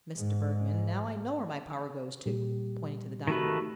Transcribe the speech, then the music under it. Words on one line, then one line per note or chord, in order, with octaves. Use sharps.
Mr. Bergmann, now I know where my power goes to,' pointing to the dynamo.
G#2
A#2 G3 G4
D#3 A3 D#4 F#4 G4 B4